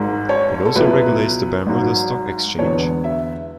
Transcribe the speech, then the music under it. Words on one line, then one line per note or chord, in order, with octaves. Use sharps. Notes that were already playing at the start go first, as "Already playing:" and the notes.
It also regulates the Bermuda Stock Exchange.
Already playing: G#1 G#2 G#3
C#5
A4
C#2 B2 F#3 B3 E4 B4
G#1 G#2 F#3
E2 D3 G#3 B3 C#5
E5